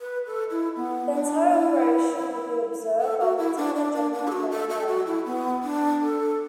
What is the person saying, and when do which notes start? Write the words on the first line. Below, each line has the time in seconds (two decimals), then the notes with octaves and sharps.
The entire operation would be observed by Lieutenant General McNair.
0.01 B4
0.26 A4
0.51 E4
0.76 B3
1.13 D4
1.51 E4
3.01 A4
3.20 F#4
3.38 E4
3.57 D4
3.76 D4
3.95 D4
4.13 D4
4.28 A4
4.32 F#4
4.51 A4
4.70 A4
4.88 F#4
5.07 E4
5.26 B3
5.63 D4
6.01 A4